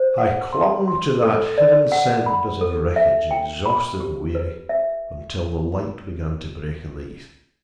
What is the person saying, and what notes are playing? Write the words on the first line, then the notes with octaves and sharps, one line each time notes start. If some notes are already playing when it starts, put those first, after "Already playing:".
I clung to that heaven-sent bit of wreckage, exhausted and weary, until the light began to break in the east.
Already playing: C5
F#5
C6
C6
A4
D5
F#5
B5
A4
E5
G5
B5
G4
B4
E5